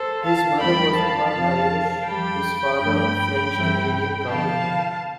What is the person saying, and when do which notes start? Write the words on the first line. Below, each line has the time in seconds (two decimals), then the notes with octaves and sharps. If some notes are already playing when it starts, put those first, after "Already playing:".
His mother was part Irish, his father a French Canadian carpenter.
Already playing: A4 C5
0.23 F5 A5
0.59 F2 E3 G3 C4 G5 B5
0.97 F5 A5
1.33 F2 C3 F3
2.06 F2 E3 G3 G5 B5
2.80 G2 F3 A3 D4
3.54 G2 E3 G3 C4 E4
4.27 D3 F3 B3 E4 F5 A5